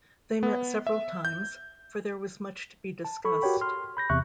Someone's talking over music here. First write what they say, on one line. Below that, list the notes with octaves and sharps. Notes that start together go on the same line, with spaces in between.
They met several times, for there was much to be discussed.
B3
E5
G6
A5
A4 B5 C#6
F#4 G4 A#4 C#5 G5 B5
C6 F6
B5 G6 A#6
E2 C3 E5 C#6 F#6